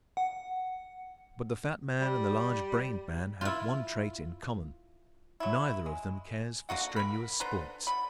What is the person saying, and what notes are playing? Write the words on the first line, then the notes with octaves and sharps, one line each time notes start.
But the fat man and the large-brained man have one trait in common. Neither of them cares for strenuous sports.
F#5
G3
E4 F4
F#3 E4
G#3
D3 A#3 F#4 F#5
A#4 B5
D3 B4 C5 A#5
D3 B5